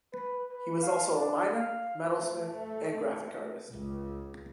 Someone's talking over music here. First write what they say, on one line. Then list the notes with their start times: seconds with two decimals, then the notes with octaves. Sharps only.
He was also a miner, metalsmith, and graphic artist.
0.13 B4
0.52 B4
0.83 F5
1.16 D4
1.54 F5
2.21 A3
3.70 C#2